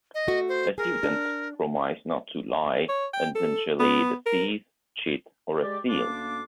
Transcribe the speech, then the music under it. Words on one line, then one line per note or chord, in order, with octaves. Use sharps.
Students promise not to lie, intentionally deceive, cheat, or steal.
D#5
A3 F#4
C5
G#4 A#4
D4
C#5
G5
A4
B3
A#4
G#3 G4 D5
D2 A#3 C#4 D4 C6 D6